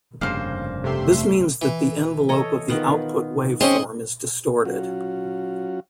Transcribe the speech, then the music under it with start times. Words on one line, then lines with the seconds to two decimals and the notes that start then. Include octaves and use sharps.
This means that the envelope of the output waveform is distorted.
0.21 F1 G2 C#3 A#3 C5
0.84 C3 A3 G4 E5 C6
1.62 E3
2.29 A4 C#5 D#5
2.68 D#3 B3 F4
3.61 C4 C#4 G#4 D#5 C6
4.65 F#3 C#4 F4 F#4